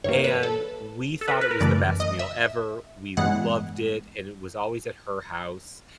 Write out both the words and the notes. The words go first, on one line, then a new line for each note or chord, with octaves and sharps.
and we thought it was the best meal ever, we loved it, and it was always at her house,
G2 E3 G3 A#3 C#5
B4
A4
A4
B4
A#4
B4
A#4
F#2 C#3 E3 A3 D5
D#5
E5
G2 E3 G#3 B3 F#5